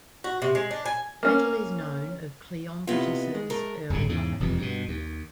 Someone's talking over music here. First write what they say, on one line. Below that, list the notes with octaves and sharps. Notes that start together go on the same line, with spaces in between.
Little is known of Cleombrotus' early life.
F#4
C3
G#3
D4
G#5
A#3 C#4
C3 B3 E4 F4 D#5
G#3
A3 A#4
D1 G#1 G2 C#3
E2 G#2 C#3
E1 F2 C3 E3
G2 B2
D#2